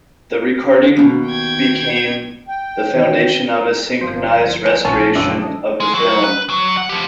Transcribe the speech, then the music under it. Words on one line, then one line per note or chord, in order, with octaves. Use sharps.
The recording became the foundation of a "synchronized restoration" of the film.
D#2 B2
G5 G#6
G5
D#3 E3 C#5
G1 F3 C5
E3
A#1 E3 F3 C#4 A5 F6
F#2 C#3 F3 G3 D4 E5
A4 D#5
G#3
F#3
B4
F#3
F#5
F3 G4